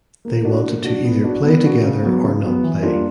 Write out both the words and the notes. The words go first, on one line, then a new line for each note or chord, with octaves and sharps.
They wanted to either play together or not play.
A#3
D4 F#4
A#3
D4 F#4
B3
D4 F#4
B3
D4 F#4
C#3
F#3 B3
C#3
F#3 B3
E3
G3 A#3 D4 F4